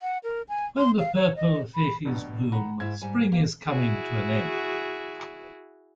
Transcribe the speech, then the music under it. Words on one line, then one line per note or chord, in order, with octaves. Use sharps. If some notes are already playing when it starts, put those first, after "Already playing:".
When purple vygies bloom, spring is coming to an end.
F#5
A#4
G#5
C6
F5
C#5
D#5
B5
F1 G2 B2
D#3 F#5 A#5 B5
G#2 E4 G#6
G#2 G3 G#5
A#3 G4
E4 F#4 G#4